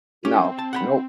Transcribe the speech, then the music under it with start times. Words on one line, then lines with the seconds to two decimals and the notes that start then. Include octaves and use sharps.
No, nope.
0.25 C#4 G4
0.37 C4
0.59 A5
0.73 F#5 G5 B5